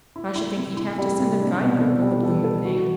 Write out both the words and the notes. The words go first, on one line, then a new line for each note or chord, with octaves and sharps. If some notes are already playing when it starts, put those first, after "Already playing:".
"I should think he'd have to send a guidebook with the bloomin' thing."
E4
E4
C3
E4
G3
C3
D4
B2
A4
G3
A4
A4
F#4